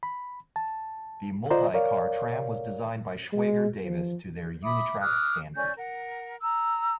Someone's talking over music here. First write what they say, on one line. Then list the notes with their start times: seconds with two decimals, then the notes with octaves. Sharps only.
The multi-car tram was designed by Schwager-Davis to their UniTrak standard.
0.03 B5
0.56 A5
1.50 F4 C5 D5 D#5 A#5
1.74 A#4 C#5 D5 F5
3.33 G#3
3.85 F3
4.63 E5 B5 D6 D#6
4.99 D6 D#6 F6 F#6
5.56 C#4 D5 G#5 G6
5.77 A#4 F#5
6.41 A#5 E6